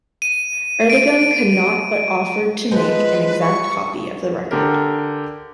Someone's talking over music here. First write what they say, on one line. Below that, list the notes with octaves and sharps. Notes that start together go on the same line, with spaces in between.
Ertegun could not but offered to make an exact copy of the record.
D#7
D7
F3 G#3 B3 B4
C#6
D3 G4 A#4